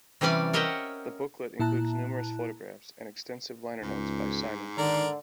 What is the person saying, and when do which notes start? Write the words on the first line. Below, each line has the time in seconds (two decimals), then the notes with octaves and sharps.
The booklet includes numerous photographs and extensive liner notes by Simon.
0.21 C3 E3 G3 C#4 D5 G#5
0.53 A#4 C#5 D#5 E5 F#5 G5
1.59 A#2 E4 A5 A#5 F#6
3.83 C#2 G#2
4.78 D3 D#3 A#4 D5